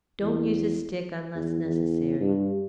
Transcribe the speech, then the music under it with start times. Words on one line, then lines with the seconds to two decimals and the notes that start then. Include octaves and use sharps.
Don't use a stick unless necessary.
0.21 E2
1.35 E2
1.63 E2
2.20 G2